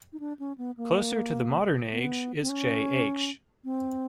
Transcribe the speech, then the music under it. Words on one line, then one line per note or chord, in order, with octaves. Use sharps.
Closer to the modern age is J.-H.
D#4
D4
C#4
B3
A#3
B3
C4
C#4
C4